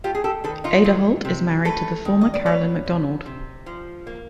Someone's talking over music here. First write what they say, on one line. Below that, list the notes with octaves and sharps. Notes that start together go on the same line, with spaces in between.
Aderholt is married to the former Caroline McDonald.
A3 F4 G4
G#4
G4 A4
D#3 A4 B4
D#4 F4
F#3
C3
A3 A4 B4
D#3
D#5
D5
F#3 B4 C#5
C3
C3
F3
A#3